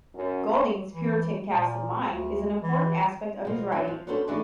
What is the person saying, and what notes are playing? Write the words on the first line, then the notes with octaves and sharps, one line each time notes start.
Golding's "puritan cast of mind" is an important aspect of his writing.
F#2
E3
A#2
D2
E3
B2 F3
F3 F#3 D4
F3
B3 C#4 D4 F#4 A4 C5
E3 A3 D4 D#4 F#4 G#4